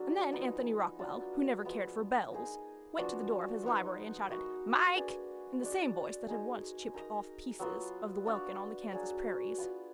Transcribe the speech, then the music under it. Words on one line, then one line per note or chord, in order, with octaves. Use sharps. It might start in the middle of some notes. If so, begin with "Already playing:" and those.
And then Anthony Rockwall, who never cared for bells, went to the door of his library and shouted "Mike!" in the same voice that had once chipped off pieces of the welkin on the Kansas prairies.
Already playing: F#3 A#3 D4 G#4
F3 B3 D#4
F#3 D4 F4
F3 G#3 B3
A#3 D#4 G#4
F3 B3 D4 F#4
F3 B3 D#4
A#3 D#4 F#4
A#3 D4 G#4 B4
G#3 D4 F#4 D5
G#3 D#4 G#4
D#4 A#4 D#5
F#3 B3 F4
D4 F#4 D5 F5
F#3 D4 G#4 D5
B3 F4 B4 F5